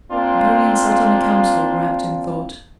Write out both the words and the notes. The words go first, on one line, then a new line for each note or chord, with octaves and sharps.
Napoleon sat on a campstool, wrapped in thought.
A#3 C4 D4 F4